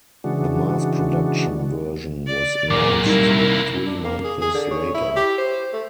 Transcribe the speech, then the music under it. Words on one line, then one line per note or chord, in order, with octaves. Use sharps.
The mass production version was announced three months later.
C#3 E3 G#3 D4 F#4
D5
F#2 A#2 G#4 A#4 D6
C3 G3 A#3 D#4 E4 A#4
D4
A#3
G#4
G#4
D3
C#5
E4
G4
C5
A3